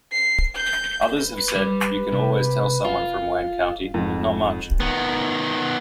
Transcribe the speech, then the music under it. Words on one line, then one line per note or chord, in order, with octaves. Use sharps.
Others have said, You can always tell someone from Wayne County, but not much.
C7
G6
B4
G3
C3
F4
F2 G#2
D#3 B3